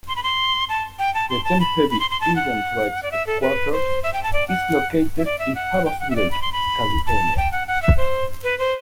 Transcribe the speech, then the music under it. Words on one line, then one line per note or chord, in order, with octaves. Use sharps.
The Chemehuevi Indian Tribe's headquarters is located in Havasu Lake, California.
C6
B5
C6
A5
G5
A5
C6
A5
B5
B5
C6
C6
A5
F#5
D5
E5
A4
B4
C5
E5
G5
A5
D5
F#5
E5
D5
E5
F#5
G5
F#5
E5
D5
B5
C6
B5
A5
G5
F#5
F#5
E5
C5
B4
C5